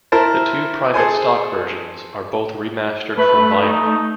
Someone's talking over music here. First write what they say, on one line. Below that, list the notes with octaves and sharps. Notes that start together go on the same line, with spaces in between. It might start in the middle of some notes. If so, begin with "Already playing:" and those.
The two Private Stock versions are both remastered from vinyl.
E4 A#4 C5 A5
G#4 A4 C5 G#5
A3 B4
D#4